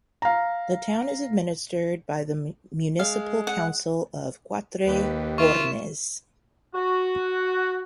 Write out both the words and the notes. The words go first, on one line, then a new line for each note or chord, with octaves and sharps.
The town is administered by the Municipal Council of Quatre Bornes.
F5 A#5
G#3 F5
F#5
D#2 G4 B4
E4 F4 A#4 C#6 E7
F#4